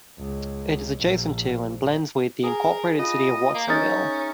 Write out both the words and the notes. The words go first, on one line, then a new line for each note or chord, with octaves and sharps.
It is adjacent to and blends with the incorporated city of Watsonville.
C#2
A#1
G#4 A#4
F4 D#5 E6
A#3
C#4 D#4 A#4 E5 G6 A6